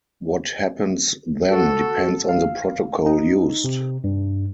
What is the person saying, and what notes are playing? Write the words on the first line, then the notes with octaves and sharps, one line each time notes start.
What happens then depends on the protocol used.
F#4 A4
F5
D#4
C3
G2